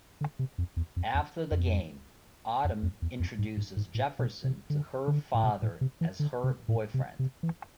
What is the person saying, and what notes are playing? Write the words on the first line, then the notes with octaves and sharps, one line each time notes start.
After the game Autumn introduces Jefferson to her father as her boyfriend.
D3
C3
F2
E2
F2
E2
F2
F2
F2
E2
F2
G#2
G#2
G#2
A2
B2
C3
D3
D3
A2
B2
A2
C3
E3
D3
C3
A2
C3
C3
E3